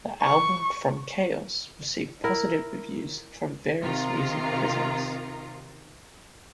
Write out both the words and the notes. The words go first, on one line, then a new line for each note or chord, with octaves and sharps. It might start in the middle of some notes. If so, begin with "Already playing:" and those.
The album "From Chaos" received positive reviews from various music critics.
C#6
E4 A#4
C3 D#3 F4 A#5